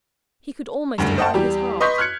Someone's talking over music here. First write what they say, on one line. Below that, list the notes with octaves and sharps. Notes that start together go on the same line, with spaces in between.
He could almost defy his heart.
F#1 D2 G2
C5 D#5 F#5 G5 A5
E2 G3 G4
B4 D#5 C6 C#6 G6 B6
F6 F#6 G#6 C#7